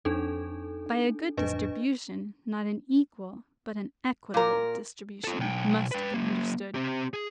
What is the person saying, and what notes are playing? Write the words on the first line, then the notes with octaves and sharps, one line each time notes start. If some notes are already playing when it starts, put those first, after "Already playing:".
By a good distribution, not an equal but an equitable distribution must be understood.
F2 C4 D4 D#4 A4
A1 F2 D4 B4 D#5
A#2 A#4
F4 A4
B1 G5
B4 G5
F#3 A#3
C4 G4
G#4